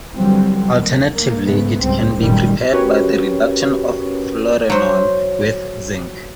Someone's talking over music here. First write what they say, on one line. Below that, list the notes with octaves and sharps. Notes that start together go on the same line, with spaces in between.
Alternatively, it can be prepared by the reduction of fluorenone with zinc.
D3 E3 F#3 G3 C4
D#2
A#3
G#2 C#3 A3 B3
C#2 G#2 G3 C4
F1 F#2 A#2 D#3 G3
C#4 F#4 G4 A#4 B4 C#5
F#3 C5